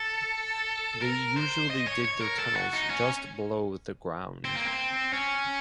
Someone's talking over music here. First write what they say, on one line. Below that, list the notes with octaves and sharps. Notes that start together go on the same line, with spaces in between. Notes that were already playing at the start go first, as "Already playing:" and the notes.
They usually dig their tunnels just below the ground.
Already playing: A4
A#4
C5
D#5
C#5
C#5
A#4
A4
F#4
D#4
C#4
C4
A#3
C4
C#4